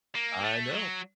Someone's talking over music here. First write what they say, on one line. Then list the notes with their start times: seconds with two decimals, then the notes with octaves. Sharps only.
I know.
0.15 A#3
0.44 A3
0.71 F#3